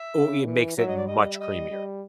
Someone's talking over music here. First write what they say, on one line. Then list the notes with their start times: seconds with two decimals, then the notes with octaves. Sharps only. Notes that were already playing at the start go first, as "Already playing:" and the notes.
ooh it makes it much creamier.
Already playing: E5
0.15 C#3
0.46 E3
0.77 F#3 E5
0.87 D#5
0.96 D5
1.07 G3 D#5
1.33 E5
1.39 D#5
1.71 G3